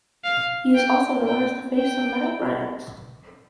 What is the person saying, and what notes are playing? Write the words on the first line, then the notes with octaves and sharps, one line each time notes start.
He is also known as the face of many brands.
F5
G5
G5
G5